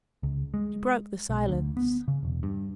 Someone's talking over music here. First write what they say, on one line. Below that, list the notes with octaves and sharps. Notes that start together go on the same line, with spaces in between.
She broke the silence.
C#2
G#3
B1
D2
B3
C#3
E1
G2